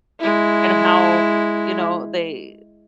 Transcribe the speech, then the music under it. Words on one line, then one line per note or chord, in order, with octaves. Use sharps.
and how, you know, they
G#3 E4